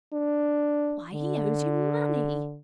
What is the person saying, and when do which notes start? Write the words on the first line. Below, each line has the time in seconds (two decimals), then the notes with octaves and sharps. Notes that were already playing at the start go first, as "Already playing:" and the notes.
Why, he owes you money!'
0.13 D4
1.14 D3